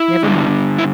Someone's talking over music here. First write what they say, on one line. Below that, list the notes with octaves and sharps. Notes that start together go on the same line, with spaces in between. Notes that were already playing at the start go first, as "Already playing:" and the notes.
Never mind!
Already playing: E4
G2 D3
E4